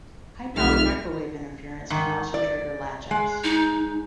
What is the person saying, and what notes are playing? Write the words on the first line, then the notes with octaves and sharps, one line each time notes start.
High-power microwave interference can also trigger latch ups.
F1 B1 D3 D#4 E5 F6
G#2 D#3
D5
G#3
D#4